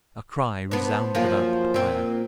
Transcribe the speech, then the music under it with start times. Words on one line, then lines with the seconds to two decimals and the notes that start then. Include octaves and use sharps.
A cry resounded about the pyre.
0.71 B3 D4 C5
1.15 F#2 F3 A#3
1.74 A#2 C4